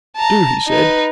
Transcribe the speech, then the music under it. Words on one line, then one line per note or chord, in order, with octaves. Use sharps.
"Do!" he said.
A5 A#5
D#4 B4